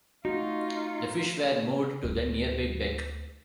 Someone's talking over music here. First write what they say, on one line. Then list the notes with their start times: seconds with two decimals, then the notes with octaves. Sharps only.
The fish were moved to the nearby beck.
0.25 A3 C4 D#4 F4 F#4
2.04 D2 E4